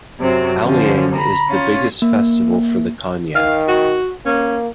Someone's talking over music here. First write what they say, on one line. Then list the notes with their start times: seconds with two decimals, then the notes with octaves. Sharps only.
Aoleang is the biggest festival for the Konyak.
0.20 F#2 C3 F#3 C4
0.60 D3 F3 C#4
1.15 A#5 B5
1.49 C#4 F4
2.02 A#3
3.35 D#3 F5
3.68 F#4
4.26 A#3 C#4